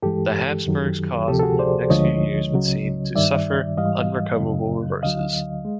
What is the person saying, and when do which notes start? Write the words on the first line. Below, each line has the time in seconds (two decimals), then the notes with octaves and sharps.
The Habsburg cause in the next few years would seem to suffer unrecoverable reverses.
0.02 G2 E3 G#3 G4 A4
0.65 F#2 D#3 F#3
1.28 D2 C3 F3 G4 A4
1.40 A4
1.43 F#4 G#4
1.59 C5 D5
1.90 D2 D3 F3 G#3 C#5 D#5
2.52 C#2 C#3 F#3
3.15 G2 D#3 G3 D5 E5
3.77 G#2 E3 G3 D#5 F5
4.40 F#2 C#3 F#3
5.02 D2 D3 F#3 D#5 F5
5.65 G#3